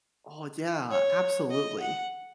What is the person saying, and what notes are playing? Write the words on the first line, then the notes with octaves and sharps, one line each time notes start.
Oh, yeah, absolutely.
C#5
D#5
F#5